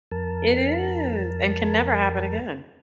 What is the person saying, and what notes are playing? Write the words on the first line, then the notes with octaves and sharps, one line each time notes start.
It is and can never happen again.
F2 A#4 A5